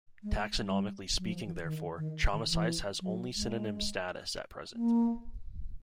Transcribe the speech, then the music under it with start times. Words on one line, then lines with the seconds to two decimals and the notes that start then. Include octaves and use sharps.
Taxonomically speaking therefore, "Chamaesyce" has only synonym status at present.
0.23 G#3
0.58 G3
1.18 F#3
1.28 F3
1.45 E3
1.63 D#3
1.97 D#3
2.32 D#3
2.49 E3
3.01 F#3
3.36 G#3
4.74 A#3